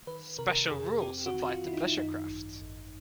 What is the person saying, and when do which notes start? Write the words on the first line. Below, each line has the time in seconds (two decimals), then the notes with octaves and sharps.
Special rules apply to pleasure craft.
0.07 D#3 B4
0.39 C3 A#4
0.71 F2 G#4
1.02 C4 G4
1.26 F#4
1.34 D#3
1.49 F4
1.65 D#3 E4
1.74 D#4
1.97 F#2 D#4
2.28 G#1
2.61 G#1